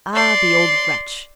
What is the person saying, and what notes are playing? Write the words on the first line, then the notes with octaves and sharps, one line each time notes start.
Ah, the old wretch!
D5 C6